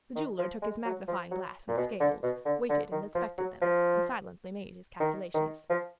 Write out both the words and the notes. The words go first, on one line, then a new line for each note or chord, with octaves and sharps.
The jeweler took his magnifying-glass and scales, weighed and inspected them, and silently made his calculations.
D#3
F3
G#3
F#3
F3
F#3
A#2
B2
D3
B2
D3
D3
D#3
F3
F#3
F3
D#3
D#3
F3